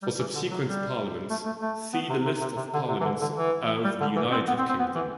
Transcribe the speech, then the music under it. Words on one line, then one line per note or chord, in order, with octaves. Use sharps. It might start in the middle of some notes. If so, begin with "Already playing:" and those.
For subsequent Parliaments, see the list of Parliaments of the United Kingdom.
G3
E3
D3
F#3
G3
A3
A3
A3
B3
C3
C3
C3
C3
D3
C3
E3
D3
D3
E3
G3
D3
E3
C4
B3
C4
C4
B3
E3